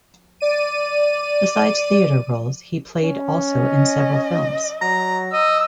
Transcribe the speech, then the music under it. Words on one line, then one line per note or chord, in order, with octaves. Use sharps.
Besides theatre roles he played also in several films.
D5 D#7
C#4
D#5
F#3 A#5
D#5 E6